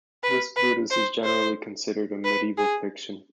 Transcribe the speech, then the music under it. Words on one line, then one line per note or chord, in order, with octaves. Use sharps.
This Brutus is generally considered a medieval fiction.
B4
B4
C5
C5
B4
G#4